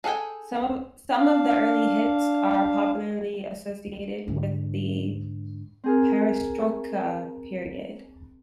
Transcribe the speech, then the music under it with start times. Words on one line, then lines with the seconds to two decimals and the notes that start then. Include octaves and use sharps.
Some of their early hits are popularly associated with the Perestroika period.
0.04 G#4 A4 F5 G5 G#5
1.17 D4 F5
4.28 G#2 D3
5.84 C4 G#4 A#4